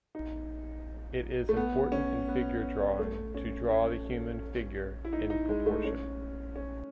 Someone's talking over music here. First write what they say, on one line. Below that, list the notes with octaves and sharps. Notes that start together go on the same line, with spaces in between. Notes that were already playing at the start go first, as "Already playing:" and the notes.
It is important in figure drawing to draw the human figure in proportion.
D#4
A3
B3
C#4
B3
B3
A3
C#4
C#4
E4
D#4
D#4
G#3
A3
C#4
C#4